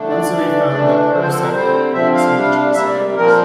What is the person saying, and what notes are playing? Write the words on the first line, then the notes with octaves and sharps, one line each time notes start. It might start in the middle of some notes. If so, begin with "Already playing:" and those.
One study found that parasite load predicts mate choice in guppies.
Already playing: D3 A3 D4
D5
E3 A3 D4
E3 A3 D4
D3 F3 C4 C5
C5
A4
A#4
D3 G3 C4 C5
D3 F3 C4 E5
F5
C3 G3 D4
C3 G3 A#3 E5
D5
A#2 F3 C4 A#4